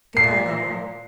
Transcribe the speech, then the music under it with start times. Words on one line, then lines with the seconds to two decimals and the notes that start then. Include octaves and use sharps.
Good-bye, Lovell.
0.17 A#2 C7